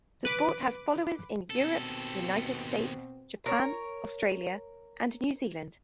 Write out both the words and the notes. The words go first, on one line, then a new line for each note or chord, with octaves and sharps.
The sport has followers in Europe, United States, Japan, Australia and New Zealand.
B4 D6
D#2 B2 C4 A4
A#4 C#5